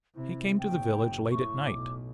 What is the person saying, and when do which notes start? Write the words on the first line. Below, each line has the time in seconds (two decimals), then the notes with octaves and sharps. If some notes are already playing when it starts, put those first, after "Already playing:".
He came to the village late at night.
0.15 C3 E4
0.59 F#1 F#2 G5
1.32 A2 C#6
1.66 B1 D6